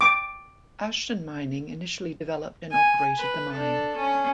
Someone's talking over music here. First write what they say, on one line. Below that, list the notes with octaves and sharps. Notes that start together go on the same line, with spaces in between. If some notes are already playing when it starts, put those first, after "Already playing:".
Ashton mining initially developed and operated the mine.
D6
G#5
B4
D4 A4
C#4